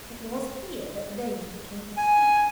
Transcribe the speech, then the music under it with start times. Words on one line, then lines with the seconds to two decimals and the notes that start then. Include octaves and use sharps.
It was here that the danger became acute.
1.97 G#5